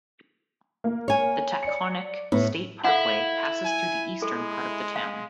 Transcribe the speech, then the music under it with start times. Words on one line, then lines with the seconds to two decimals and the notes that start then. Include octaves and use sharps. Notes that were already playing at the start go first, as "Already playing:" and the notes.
The Taconic State Parkway passes through the eastern part of the town.
0.84 A#3
1.08 C#5 G#5
1.63 D5 C#7
2.32 A2 B3
2.84 E4 A4 F5 F#5
3.65 G#5
4.22 G#3 A4
4.96 F5